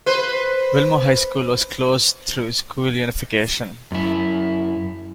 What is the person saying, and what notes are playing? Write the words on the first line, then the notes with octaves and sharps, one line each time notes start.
Wilmore High School was closed through school unification.
B4 C5
F#2 E4